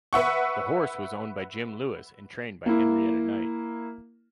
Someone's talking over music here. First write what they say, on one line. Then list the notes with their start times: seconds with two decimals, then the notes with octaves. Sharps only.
The horse was owned by Jim Lewis and trained by Henrietta Knight.
0.13 B4 E5 F#5 C#6
2.66 A#3 E4